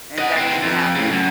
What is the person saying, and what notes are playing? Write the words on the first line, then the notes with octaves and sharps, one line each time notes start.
And that didn't happen?
D#5 F#5
E3 C4
F2
A2 C#3
F#2